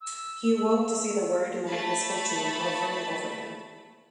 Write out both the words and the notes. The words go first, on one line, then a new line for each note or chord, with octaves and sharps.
He awoke to see the worried men of his platoon hovering over him.
E6
A3 A5 B5